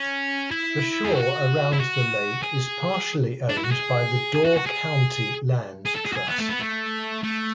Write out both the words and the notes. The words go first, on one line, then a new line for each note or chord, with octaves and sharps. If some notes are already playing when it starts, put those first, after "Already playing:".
The shore around the lake is partially owned by the Door County Land Trust.
Already playing: C#4
E4
G#4
F#4
E4
F#4
G#4
D4
E4
F#4
G#4
G#4
F#4
F#4
G#4
G#4
A4
G#4
F#4
G#4
B3
A3
B3
A3
A3